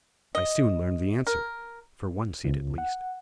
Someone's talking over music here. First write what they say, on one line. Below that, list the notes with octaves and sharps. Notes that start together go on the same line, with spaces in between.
I soon learned the answer--for one seat at least.
D#5
A#4
C#2
F#5